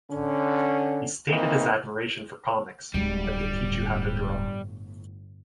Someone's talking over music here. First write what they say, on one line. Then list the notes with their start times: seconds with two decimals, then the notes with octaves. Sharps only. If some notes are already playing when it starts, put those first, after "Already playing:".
He's stated his admiration for comics, that they teach you how to draw.
0.10 D3 C#4
1.29 E3 A#3 C4 D#4
2.94 D1 G1 A2 G3 G#3